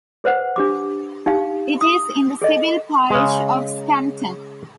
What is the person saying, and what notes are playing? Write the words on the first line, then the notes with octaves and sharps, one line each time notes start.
It is in the civil parish of Scampton.
G#4 B4 C5 F#5
D4 G4 D6
D#4 G4 F5 G5
D#6
G#4 A4 D#5
C#3 G#3